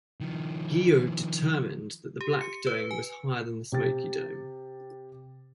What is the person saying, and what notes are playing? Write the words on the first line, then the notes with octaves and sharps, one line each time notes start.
Guyot determined that Black Dome was higher than Smoky Dome.
D#3 F3
G4
C#7
B4
G#5
C3 G4 A6